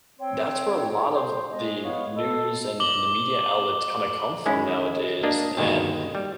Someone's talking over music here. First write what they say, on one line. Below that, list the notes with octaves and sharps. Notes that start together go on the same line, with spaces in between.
that's where a lot of the news and and the media outlets kinda come from nowadays, and
C4 C#5 G5 C6
C5
G#3 D#5
B3 C#5 F5 C#6
A4 D#5 B5
D6 F#7 G7
D#3 G#3 C#4 E4
A#3 D4 D#5
G1 D#2 G#2 B2 D#3
G3